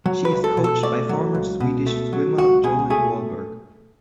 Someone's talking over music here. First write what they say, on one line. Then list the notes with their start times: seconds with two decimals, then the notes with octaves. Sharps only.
She is coached by former Swedish swimmer Johan Wallberg.
0.06 F#3
0.25 B4
0.32 C#2
0.44 A4
0.57 B2
0.64 A4
0.83 A3 D5
1.09 F#3
1.35 C#2
1.60 B2
1.87 A3
2.13 F#3
2.38 C#2 F#4
2.64 B2 G#4
2.90 A3 G#4